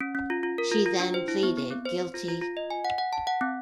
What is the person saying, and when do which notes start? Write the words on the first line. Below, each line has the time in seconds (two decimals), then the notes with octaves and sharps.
She then pleaded guilty.
0.01 C#4
0.15 C#4
0.30 F4
0.43 F4
0.58 A#4
0.71 F4
0.86 F4
1.00 D4
1.14 C5
1.28 E4
1.43 B3
1.57 B3
1.70 C4
1.85 C5
2.00 C5
2.14 F4
2.28 F4
2.41 F4
2.57 D#5
2.70 G#5
2.85 F#5
2.98 F#5
3.13 A5
3.27 F#5
3.41 C4